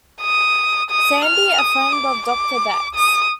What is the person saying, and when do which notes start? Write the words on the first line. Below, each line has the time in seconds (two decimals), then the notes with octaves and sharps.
Sandy: A friend of Doctor Beck's.
0.22 D#6
0.90 D#6
1.25 F6
1.58 D#6
1.92 D6
2.27 D6
2.95 D#6